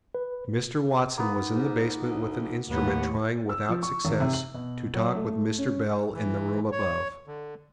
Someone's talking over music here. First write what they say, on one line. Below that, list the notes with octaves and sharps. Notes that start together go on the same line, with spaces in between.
Mr. Watson was in the basement with an instrument trying without success to talk with Mr. Bell in the room above.
B4
A#3 B3 D#4
G#2
D2
D#2 A2 B3 G4 C#5
E6
F3
C#6
G#1
C3
F#7
B2
F#3
A3
C#4
E3
C#5
D3